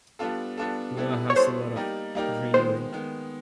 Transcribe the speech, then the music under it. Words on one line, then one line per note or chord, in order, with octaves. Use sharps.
Goa has a lot of greenery.
G3 B3 D4 F4 A4
G3 B3 D4 F4 A4
G3 B3 E4 A4
C#5
G3 B3 E4 A4 C5
G3 A#3 D#4 G4 A#4
G3 A#3 D#4 G4 A#4
D#3 G#3 B3 C5
D#3 G#3 B3